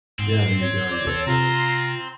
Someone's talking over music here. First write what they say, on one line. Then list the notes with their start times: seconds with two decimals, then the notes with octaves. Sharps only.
Yeah, there you go. You got the,
0.19 G#2 C4
0.61 C#5
0.91 D5
1.07 E2 A4
1.27 C3 F4 A#5